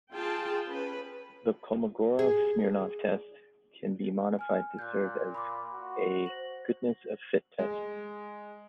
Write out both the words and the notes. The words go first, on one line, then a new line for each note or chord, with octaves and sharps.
The Kolmogorov-Smirnov test can be modified to serve as a goodness of fit test.
F4 G#4 G5 A5
C#4 G#4 B4
G#4
G#5 F6
A#2 F#6 G6
B5 C6 D6
F#4
C5 A#6 F#7
G#3